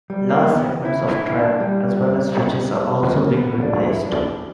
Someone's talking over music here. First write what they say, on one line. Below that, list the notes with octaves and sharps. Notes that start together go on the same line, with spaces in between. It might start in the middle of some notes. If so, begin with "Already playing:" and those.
Large segments of track, as well as switches, are also being replaced.
G3
A#3
B3
E4
E4
D4
G3
A#3
B3
D4
E4
D4